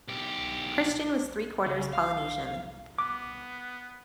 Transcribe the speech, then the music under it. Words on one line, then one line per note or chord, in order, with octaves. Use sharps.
Christian was three quarters Polynesian.
B1 G4
C#3
F5
B3 D6